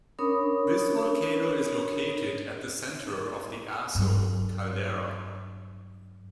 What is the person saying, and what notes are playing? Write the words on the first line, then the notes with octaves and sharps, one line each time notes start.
This volcano is located at the centre of the Aso caldera.
C#4 D4 A#4 C#5 B5 D#6
G2 F#3